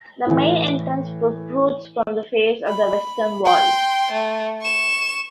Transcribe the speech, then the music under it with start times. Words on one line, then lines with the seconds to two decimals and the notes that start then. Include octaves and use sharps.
The main entrance protrudes from the face of the western wall.
0.26 A2 E3
2.68 B5
3.45 G5 C6
4.11 A3
4.61 C#6 E7